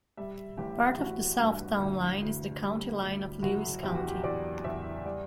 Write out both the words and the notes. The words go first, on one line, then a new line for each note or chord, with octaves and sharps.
Part of the south town line is the county line of Lewis County.
G3 E5
A1 G4
A1 F#4
G2
D2
D2
G3
D2
F#1 F#4
E2 G4
F#4
G4
E2 D5
E2 E5
G3 D5